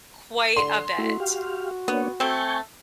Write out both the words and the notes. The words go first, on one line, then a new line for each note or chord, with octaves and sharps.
quite a bit,
D3 C6
A3 E4 F#4
G4 F5
A#3 B3 D4 C#5
A3 C4 G#5 C#6 G6